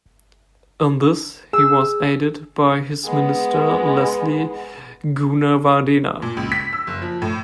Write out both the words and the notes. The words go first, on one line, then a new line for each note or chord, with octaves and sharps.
In this he was aided by his Minister, Leslie Goonawardena.
G#4 E6
G#3 B3
A#2
C#2
B6
E6
F#1
F3
A2